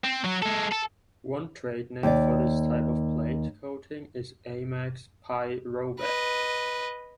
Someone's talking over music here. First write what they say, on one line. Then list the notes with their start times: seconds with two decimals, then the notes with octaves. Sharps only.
One trade name for this type of plate coating is Eimac's "pyrovac".
0.04 C4
0.24 F#3 F#4
0.43 G#3 A4
0.72 A4
2.03 D#2 D5
6.00 B4 D#5